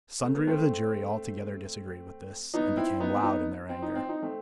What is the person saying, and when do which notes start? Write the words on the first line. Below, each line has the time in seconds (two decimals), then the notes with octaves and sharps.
Sundry of the jury altogether disagreed with this, and became loud in their anger.
0.23 A3
0.35 B3
0.47 A3 C4
2.54 B3 D#4
2.77 C4 E4
3.00 B3 D#4
3.16 C4
3.23 B3 D#4
3.69 C4
3.82 D#4
3.95 C4
4.09 D#4
4.22 A3 C4